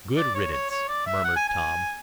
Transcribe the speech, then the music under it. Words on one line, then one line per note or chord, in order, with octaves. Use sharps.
"Good riddance," murmured Tom.
D5
C#5
C#5
C#5
D5
E5
F#5
G#5
G#5